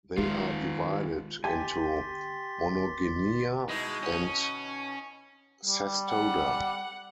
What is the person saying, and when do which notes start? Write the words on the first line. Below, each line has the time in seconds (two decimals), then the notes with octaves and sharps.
They are divided into Monogenea and Cestoda.
0.18 D#3 G#3 F4
1.44 G4 G5 G#5 C6 A6 B6
3.69 B2 G#3 D#4 E4
4.03 C#4
5.65 G3
6.08 F#5